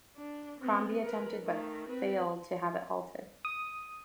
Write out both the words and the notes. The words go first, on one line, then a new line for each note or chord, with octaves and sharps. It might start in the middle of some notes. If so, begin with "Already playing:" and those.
Crombie attempted but failed to have it halted.
D4
B3 C4
A#4 B4
D#3 A3
C4 B4
D#6